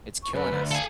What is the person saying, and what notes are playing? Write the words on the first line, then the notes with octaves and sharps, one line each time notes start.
It's killing us.
C#6
F#2 B4
D2
A4 F5 G#5